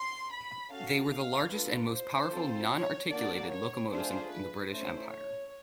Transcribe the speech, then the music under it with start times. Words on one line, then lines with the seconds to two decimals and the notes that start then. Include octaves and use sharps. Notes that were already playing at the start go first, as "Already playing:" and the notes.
They were the largest and most powerful non-articulated locomotives in the British Empire.
Already playing: C6
0.31 B5
0.71 C#4 F#4 A4 F5
1.11 F5
1.51 D4 F4 A4 B4
1.91 C5
2.31 C4 F4 A4
2.71 C#5
3.10 A#3 D4 F#4 A4 D5
3.51 C#5
3.90 A3 D4 F4 G#4 C5
4.31 B4
4.70 A3 C#4 E4 C5
5.11 C#5